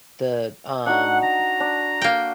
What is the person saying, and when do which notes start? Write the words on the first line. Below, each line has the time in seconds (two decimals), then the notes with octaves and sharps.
the, um
0.86 D4 D#4 F#4 F#5
1.22 A#5
1.60 D4
2.01 A#3 G5